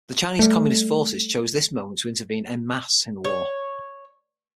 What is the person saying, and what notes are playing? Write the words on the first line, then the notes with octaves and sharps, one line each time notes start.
The Chinese Communist Forces choose this moment to intervene "en masse" in the war.
G3 A3
C#5